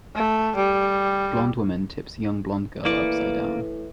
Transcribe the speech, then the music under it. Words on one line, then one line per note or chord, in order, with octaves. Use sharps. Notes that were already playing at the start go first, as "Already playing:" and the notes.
A blond woman tips a young blond girl upsidedown.
A3
G3
A2 E3 A#3 D5 C#6